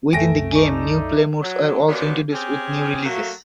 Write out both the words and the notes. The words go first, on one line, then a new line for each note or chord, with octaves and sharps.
Within the game, new play modes were also introduced with new releases.
C2 F#2 A3 G5 G#5 A#6 D7
D#4 A4 D5 G#5 C#6
F#3
C3 F#3 A#3 B3 C#4 D5
C4 C#4 G4 G#4
F#3 A3 A#3